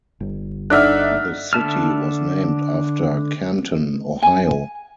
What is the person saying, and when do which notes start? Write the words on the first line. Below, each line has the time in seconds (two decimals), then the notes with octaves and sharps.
The city was named after Canton, Ohio.
0.20 G1
0.70 D4 D#4 A4 D5 E5 F#5 F6 F#6
1.53 D3 E5 A5 F6
4.22 G#5